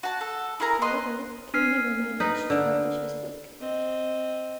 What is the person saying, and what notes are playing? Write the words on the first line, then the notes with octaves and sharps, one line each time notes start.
However Kay never managed to publish his book.
F#4 A5
A4
E4 G#4 A#4 A#5
B4 D#5 C6
D4 F6 C7
D#4 B4 D#5
D3
C4 D#5